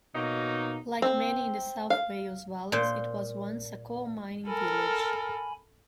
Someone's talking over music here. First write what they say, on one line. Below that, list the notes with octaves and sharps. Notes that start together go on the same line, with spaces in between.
Like many in the South Wales Valleys, it was once a coal-mining village.
B2 F#3 A#3 D#4
C4
F5
A#2 C5
A4 A#4 G#5 B5